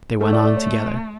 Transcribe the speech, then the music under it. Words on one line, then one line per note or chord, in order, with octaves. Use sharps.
They went on together.
A3 A4
D5
D5
C#5